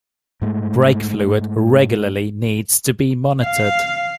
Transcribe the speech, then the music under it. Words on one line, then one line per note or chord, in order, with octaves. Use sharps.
Brake fluid regularly needs to be monitored.
G#2 G#3 A3
F5